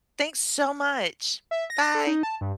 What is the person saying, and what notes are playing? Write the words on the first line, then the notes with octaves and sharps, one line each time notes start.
thanks so much. Bye.
E5
A#6
A#6
A4
D#4
A5
G2